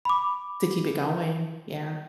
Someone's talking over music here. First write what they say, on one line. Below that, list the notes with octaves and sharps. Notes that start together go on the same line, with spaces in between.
To keep it going, yeah.
B5 D6